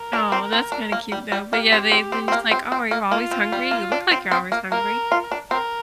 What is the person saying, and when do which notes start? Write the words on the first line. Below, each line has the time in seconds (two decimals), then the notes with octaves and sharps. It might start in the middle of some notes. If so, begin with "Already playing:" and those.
Aw, that's kinda cute though, but yeah, they've been just like, "Oh, are you always hungry? You look like you're always hungry."
Already playing: A#4
0.13 D4
0.32 C4
0.53 C4
0.72 D4
0.92 A#3
1.12 G3
1.32 G3
1.52 A#3 G4
1.72 C4
1.92 C4
2.12 C4
2.28 C4
2.32 A#3
2.51 C4
2.72 C4
2.91 A#3
3.12 A#3 F4
3.31 C4
3.52 G3
3.71 A#3
3.92 D4
4.11 C4
4.31 C4
4.52 A#3
4.72 A#3 A#4
5.12 F4
5.32 D4
5.51 C4 A#4